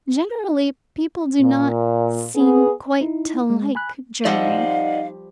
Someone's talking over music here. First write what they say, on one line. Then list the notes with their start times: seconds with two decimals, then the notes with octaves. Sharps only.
Generally people do not seem quite to like Germany.
1.40 A#2
2.35 B3 G#4
3.01 D#4 E4
3.50 G#3
3.75 G#5 B5 F#6
4.25 F3 G3 C4 D#4 D5 D#5 F5 F#5